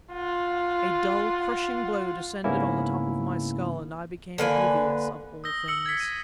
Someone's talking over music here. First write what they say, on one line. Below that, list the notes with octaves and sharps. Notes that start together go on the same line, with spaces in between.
A dull, crushing blow descended on the top of my skull, and I became oblivious of all things.
F4 F#5
G#2 C#3 A#3 B3 C#4 E4
D3 A#3 B4 G#5
D#6 E6 G6 A#6 G7
E6 C#7 F#7
G#6 B6
C#7 D#7